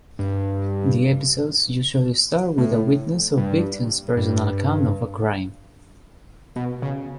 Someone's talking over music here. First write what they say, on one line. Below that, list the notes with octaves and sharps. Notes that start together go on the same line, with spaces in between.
The episodes usually start with a witness or victim's personal account of a crime.
G2
A2
G2
G2
B2
C#3